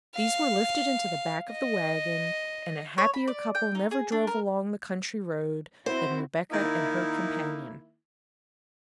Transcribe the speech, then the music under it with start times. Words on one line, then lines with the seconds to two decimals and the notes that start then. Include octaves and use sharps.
These were lifted into the back of the wagon, and a happier couple never drove along the country road than Rebecca and her companion.
0.16 F5
1.51 D#5
2.98 C#5
3.14 B5
3.27 D5
3.55 G5
3.75 D#4
3.91 G#4
4.12 D4
4.27 A#4
5.86 C4 E4 F#4 C5
6.51 D#3 A#3 D#4 E4